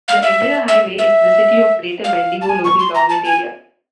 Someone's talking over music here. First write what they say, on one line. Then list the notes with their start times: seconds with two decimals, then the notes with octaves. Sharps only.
The entire highway is in the City of Greater Bendigo local government area.
0.08 F5
0.23 E5
0.68 E5
0.98 E5
2.04 F5
2.42 A5
2.49 G#5
2.65 C#6
2.79 C6
2.95 A#5
3.10 A5
3.25 G#5